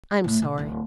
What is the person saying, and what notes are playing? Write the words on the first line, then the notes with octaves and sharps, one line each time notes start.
I'm sorry.
A2 A3
B2
D1 D2